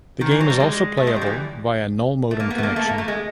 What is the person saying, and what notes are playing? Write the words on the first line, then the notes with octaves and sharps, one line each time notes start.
The game is also playable via null modem connection.
D#3
E3
F#3
G3
G#3
A3
G#3
G3
F3
E3
A3
A#3
B3
A3
A#3
A3
A#3
A3
G#3